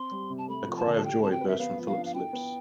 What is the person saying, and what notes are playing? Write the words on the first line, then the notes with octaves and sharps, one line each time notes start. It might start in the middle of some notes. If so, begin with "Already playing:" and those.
A cry of joy burst from Philip's lips.
Already playing: C4 C6
G3
C3
A5
A3 B5
F3
A5
D3
A5
G4 G5
C4 A5
G5
B4
E5
B3 F5
F3
F5
D4
F5
E4 G5
B3